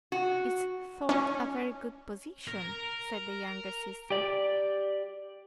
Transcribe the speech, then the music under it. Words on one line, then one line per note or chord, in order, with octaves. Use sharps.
"It's thought a very good position," said the younger sister.
F#4
C#4
A#4
G4 D5